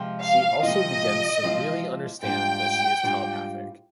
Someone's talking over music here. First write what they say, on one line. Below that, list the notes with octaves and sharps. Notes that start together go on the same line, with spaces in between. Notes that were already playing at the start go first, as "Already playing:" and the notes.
She also begins to really understand that she is telepathic.
Already playing: C3 F3 G#3 C4 F4
F5
C3 F3 G#3 C4 F4 D#5
C3 F3 G#3 C4 F4
G#2 G3 D4 F4 G5
G#2 G3 D4 F4